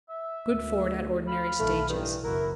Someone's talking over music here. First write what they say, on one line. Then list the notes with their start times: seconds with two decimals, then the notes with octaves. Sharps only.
Good ford at ordinary stages.
0.10 E5
0.51 D2
1.28 F4 B5 F6
1.59 B1 D#3 A3
1.89 G2 D#3 E3
2.24 F#1 E4 F#4 A#4